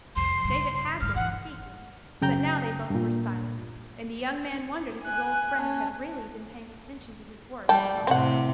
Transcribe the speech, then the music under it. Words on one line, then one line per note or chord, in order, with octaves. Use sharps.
David had been speaking, but now they both were silent, and the young man wondered if his old friend had really been paying attention to his words or not.
C2 F2 C6
G2 C#3
G1 G#2 F6
C#3 E3 F#5
F#2 C#3 G5 A#5 G6
G2 A#2
G#5 F#6
C#4 A5
G3 G5 A5
A2 C3 C4 F#5